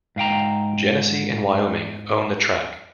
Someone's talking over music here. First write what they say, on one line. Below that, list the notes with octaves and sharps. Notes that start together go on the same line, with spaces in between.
Genesee and Wyoming own the track.
G#2 F5 G5 A#5